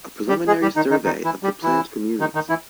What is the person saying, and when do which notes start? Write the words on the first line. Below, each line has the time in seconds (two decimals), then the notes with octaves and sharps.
A Preliminary Survey of the Plant Communities.
0.28 G3 G4
0.47 G#3 G#4
0.62 G3 G4
0.76 D#3 D#4
0.90 D#3 D#4
1.05 D#3 D#4
1.24 E3 E4
1.43 G3 G4
1.63 E3 E4
2.20 D#3 D#4
2.35 D#3 D#4
2.49 E3 E4